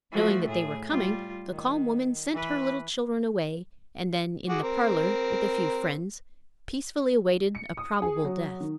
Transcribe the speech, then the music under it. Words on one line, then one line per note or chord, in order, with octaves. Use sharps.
Knowing that they were coming, the calm woman sent her little children away, and then in the parlor, with a few friends, peacefully awaited a probable death.
F3 A3 F#4
A2 G#4
G3 F4
D#3
E3 B4
F#4 G#4 D6
C4 A#4
C#7
D#6
G#4
F#3
D#3